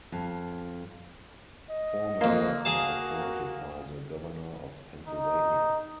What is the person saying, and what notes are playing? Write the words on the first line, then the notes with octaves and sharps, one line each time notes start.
Four members are appointed by the Governor of Pennsylvania.
F2
D#5
F2 A#3 C6
F#4 G#4 F5 A5
D#4